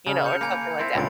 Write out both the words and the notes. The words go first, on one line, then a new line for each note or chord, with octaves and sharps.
you know, or something like that.
C#3 A5 F6
G6 C#7 F7
A#3 G#5 B5 C#7
C4 E4
C#2 A#2 D3 B5 A6 D7